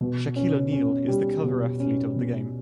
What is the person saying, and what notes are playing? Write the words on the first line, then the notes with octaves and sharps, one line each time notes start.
Shaquille O'Neal is the cover athlete of the game.
B2
C#4
C#4
G3
B2
C#4
B2